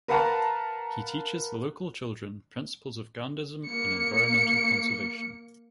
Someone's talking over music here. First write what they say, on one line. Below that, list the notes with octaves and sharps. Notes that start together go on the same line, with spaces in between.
He teaches the local children principles of Gandhism and environmental conservation.
A#4 B4 F5 F#5 A5 A#5
A#3 C#7